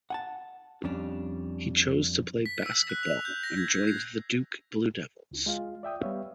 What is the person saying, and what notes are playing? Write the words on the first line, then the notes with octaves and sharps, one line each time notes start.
He chose to play basketball and joined the Duke Blue Devils.
F#5 G#5 A5
F2 G3 C#4 D4
B6
E6
F#6
F7
G6
A#6
G#6
G#6
C7
C#2
G#3 F4 F5
D5 E5 G5 D#6
G3 B3 C#5 E5 F5